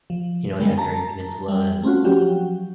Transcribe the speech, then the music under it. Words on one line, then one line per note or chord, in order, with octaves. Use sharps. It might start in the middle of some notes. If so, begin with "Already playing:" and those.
you know, the Iberian Peninsula and
F3
D3 G3 G#3 B3
A5 A#5
G3
A3 C4 C#4 F4 F#4
F3 F#3 C#4 F#4 G4